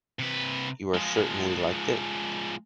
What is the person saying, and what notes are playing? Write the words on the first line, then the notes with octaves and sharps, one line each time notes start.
You are certain we liked it.
C3 B4
F3 G#3